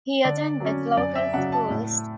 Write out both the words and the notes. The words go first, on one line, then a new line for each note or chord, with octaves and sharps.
He attended local schools.
D3 D5
F#3 C#4
F#2 D5
E5
C#3 F#3 F#5
A5
A2